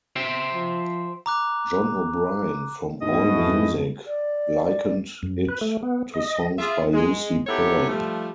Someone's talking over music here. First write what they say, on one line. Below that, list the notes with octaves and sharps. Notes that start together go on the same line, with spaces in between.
Jon O'Brien from AllMusic likened it to songs by Lucy Pearl.
C5 E5 G5
F3
A#5 D6 F#6
D2 G#2 B2 D#4 D#5
F2 E3
D5
F#2
B4
A3
B3
D#5
F4 G#4 E5
G#3
B3 D#4 E4 G4 A4 C#5
F3 G3 A3